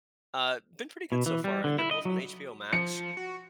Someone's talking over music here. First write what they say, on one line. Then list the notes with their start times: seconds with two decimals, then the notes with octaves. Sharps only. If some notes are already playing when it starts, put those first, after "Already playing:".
uh, been pretty good so far, and they're both on HBO Max.
1.12 B2
1.26 E3
1.44 G3
1.64 D3
1.79 E4
1.91 D#5
2.05 F#3
2.73 F3 C#7
3.17 F#4